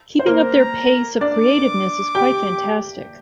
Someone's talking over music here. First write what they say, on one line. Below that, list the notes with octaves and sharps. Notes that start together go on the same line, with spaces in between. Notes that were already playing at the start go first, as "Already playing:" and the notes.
Keeping up their pace of creativeness is quite fantastic.
C5
A#3 A#4 A#5
D4 D5 D6
G4 G5